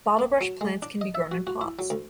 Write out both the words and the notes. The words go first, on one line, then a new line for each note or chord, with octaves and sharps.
Bottlebrush plants can be grown in pots.
A#3
F#3
G#3
D4
D#5
E5
F#4
F#4
E4
F#3
D2